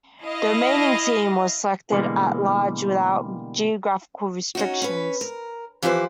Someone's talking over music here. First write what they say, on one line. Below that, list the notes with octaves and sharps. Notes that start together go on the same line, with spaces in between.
The remaining team was selected at-large without geographical restrictions.
E4 D#5 F5 A#6
B2 D3 E3 G3 G#3 A#3
C#4 D#4 F#4
C#4 B4
A#4
E3 F3 E4 G4 B4 C5